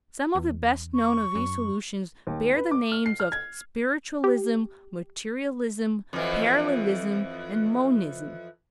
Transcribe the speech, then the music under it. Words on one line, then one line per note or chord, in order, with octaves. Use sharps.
Some of the best known of these solutions bear the names of spiritualism, materialism, parallelism, and monism.
E2
C#6
F#2
D#2
B4
D6
F6
C7
F6
G#6
G4
F2 E3